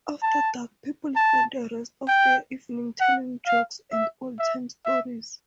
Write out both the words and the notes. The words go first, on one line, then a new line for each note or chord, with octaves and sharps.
After dark, people spent the rest of the evening telling jokes and old-time stories.
A5
A5
G5
F#5
F5
E5
E5
E5